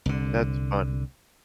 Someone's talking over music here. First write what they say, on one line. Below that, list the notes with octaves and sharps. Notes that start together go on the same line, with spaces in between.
That's fun,
C2 D3